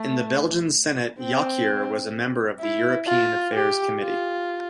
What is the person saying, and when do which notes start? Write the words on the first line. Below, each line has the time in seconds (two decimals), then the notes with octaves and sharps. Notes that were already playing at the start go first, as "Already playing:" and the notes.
In the Belgian Senate, Jonckheer was a member of the European Affairs Committee.
Already playing: A3
1.20 C4
2.60 E4
3.08 F4
3.53 G4
4.01 F4